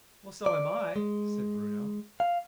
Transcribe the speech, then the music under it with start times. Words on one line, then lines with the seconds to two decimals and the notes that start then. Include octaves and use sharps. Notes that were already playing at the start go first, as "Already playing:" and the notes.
"Well, so am I!" said Bruno.
0.46 D5
0.96 G#3
2.20 F5